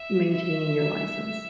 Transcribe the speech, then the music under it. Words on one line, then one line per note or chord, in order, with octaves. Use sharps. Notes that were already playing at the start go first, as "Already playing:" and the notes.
maintaining your license.
Already playing: E5
E5